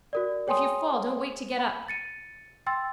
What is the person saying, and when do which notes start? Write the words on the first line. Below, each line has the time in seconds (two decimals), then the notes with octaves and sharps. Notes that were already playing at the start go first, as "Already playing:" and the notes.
If you fall don't wait to get up.
0.13 F#4 A#4 D5
0.47 G#4 C#5 G5 G#5 C6 D#6
1.59 B5
1.88 A6 C#7 D#7
2.67 G5 C6 E6 A6